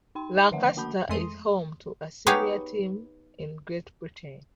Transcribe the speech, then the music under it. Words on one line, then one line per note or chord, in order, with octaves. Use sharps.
Lancaster is home to a senior team in Great Britain.
D#4 G5 C6
D3 D#3 F3 A3 E5 F#5
A#3 F#4 A5 B5 G6
F2 G#3 A3 C6 D#6
B3 D#4 G4 G#4 C#5 F5